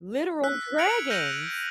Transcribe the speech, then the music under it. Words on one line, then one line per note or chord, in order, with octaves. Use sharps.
literal dragons!
E6 F#6 B6
F6 G#6 C#7 D7 F7 F#7
F6 G6 A#6 C#7 D#7